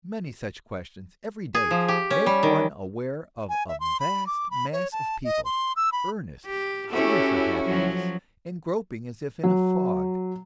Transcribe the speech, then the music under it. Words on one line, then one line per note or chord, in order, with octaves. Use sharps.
Many such questions every day make one aware of a vast mass of people, earnest, hungry for happiness, and groping as if in a fog.
G#4
F3
G4
C#4
G3
D#3
G#5
E5
C6
B5
D6
B5
C#5
A5
D#5
C6
E6
B5
G4
C#4 E4 F#4 G4 A4
F3 F#3
F#3